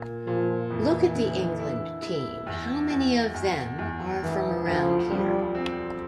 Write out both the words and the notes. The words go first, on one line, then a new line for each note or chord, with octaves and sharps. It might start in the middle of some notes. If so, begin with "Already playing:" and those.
Look at the England team, how many of them are from around here?
Already playing: A#2
A#2 F3
F2 E3
D3
E4
E4
E2
E2
E2
E2
E1 E3
D2 F3
F3 G3
C4